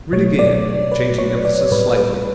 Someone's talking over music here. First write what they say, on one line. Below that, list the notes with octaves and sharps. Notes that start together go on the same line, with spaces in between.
Read again, changing emphasis slightly.
B2 F#3 A3 C#5
D5
B4
C#5
D5
A2 G3 B4
B4